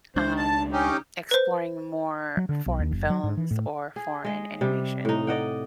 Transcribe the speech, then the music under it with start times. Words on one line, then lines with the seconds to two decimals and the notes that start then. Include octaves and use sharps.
um, exploring more foreign films or foreign animation.
0.16 C#2 G#3 D4 C5
0.37 A5
0.72 C#4 D#4 G4
1.31 B4 C5
2.37 F#3
2.49 D3
2.66 B1
2.79 D#2
2.91 F#1
3.10 F#3
3.23 G#2
3.37 E3
3.51 A2
3.96 G#4
4.25 G#3 D#5
4.61 C3 G3
5.05 A2 D#4
5.27 D5 D#5 F#5 G5